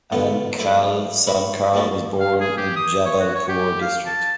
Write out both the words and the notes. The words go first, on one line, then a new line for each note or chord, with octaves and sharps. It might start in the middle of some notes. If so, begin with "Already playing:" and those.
Anchal Sonkar was born in Jabalpur district.
B2 D3 A3 B3 F4
F#2 A3 E4 C5 B5
A#4 B4 C#5 E5 B5
G#3 A#3 F4 F#4 A4
F5
G#4
G4
D#6
C#5
F#4
C#5
G4
F5
A5